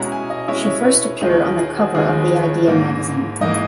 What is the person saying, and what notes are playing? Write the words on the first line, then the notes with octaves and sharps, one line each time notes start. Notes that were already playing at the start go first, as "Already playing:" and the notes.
She first appeared on cover of the Idea Magazine.
Already playing: B2 G#3 C#4 E4 G#5 A#5
G#5
D#5
B2 G#3 C#4 E4 C#5
C#5
B4
C#5
C#5
D#2 D#3 G#3 D#4
C#5
B4
G#4
F#4
D#2 D#3 G#3 D#4 G#4
B4
B4
C#5
G#2 E3 A#3
G#2 E3 A#3 D#5